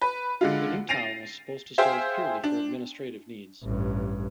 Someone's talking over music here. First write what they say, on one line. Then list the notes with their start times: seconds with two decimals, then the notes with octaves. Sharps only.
The new town was supposed to serve purely for administrative needs.
0.01 B4
0.41 D3 G#3 F4
0.89 A6 A#6 C7 D7 D#7 F7
1.78 G#4 C5 E5 F5 G5
2.44 D4
3.63 A1 G2